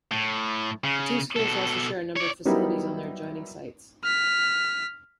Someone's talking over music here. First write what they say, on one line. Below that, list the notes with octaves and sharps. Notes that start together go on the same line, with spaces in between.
The two schools also share a number of facilities on their adjoining sites.
A2
C#3
B2 A4
C#5 D5
F#3 G3 B3 D#4 E4 A#4
F6 B6